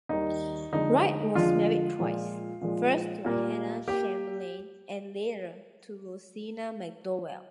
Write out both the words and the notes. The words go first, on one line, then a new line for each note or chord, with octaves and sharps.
Wright was married twice: first to Hannah Chamberlain and later to Rosina McDowell.
D#2 D#3 G3 D#4
F2 D3 F3 G#3 D#4
F2 D3 F3 G#3 F4
A#2 F3 G#3
A#2 F3 G#3
A#2 G3 A#3
A#3 G4